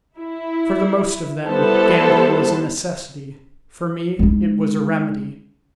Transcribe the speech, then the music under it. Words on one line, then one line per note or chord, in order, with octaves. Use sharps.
For the most of them, gambling was a necessity; for me, it was a remedy.
E4
G3 B3 E4 A4 C5 A5
G#3 D#4